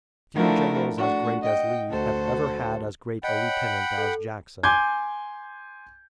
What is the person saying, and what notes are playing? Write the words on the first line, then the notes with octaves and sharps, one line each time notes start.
Few generals as great as Lee have ever had as great a lieutenant as Jackson.
F3 A3 D4 E4 F#4 A#4
A3 D4 F#4
D#5 F#5 G5
D2 F#4 A4 C5
C#5 D#5 F#5 G5 B5
A4
G#5 C6 D6 G6 G#6